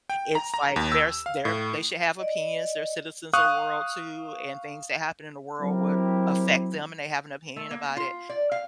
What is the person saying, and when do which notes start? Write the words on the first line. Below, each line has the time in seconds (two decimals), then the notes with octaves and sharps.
it's like there's there they should have opinions, they're citizens of world too, and things that happen in the world would affect them, and they have an opinion about it,
0.10 G5
0.35 A#5
0.54 A#5
0.76 D#2
0.92 E6
1.26 F5
1.45 A2
2.19 D5 D#5
3.33 F5 C#6 D#6 F#6
5.59 F#3 C4 E4 G4 A#4
7.56 A3
7.71 A#3
7.97 F4
8.29 D5
8.52 F5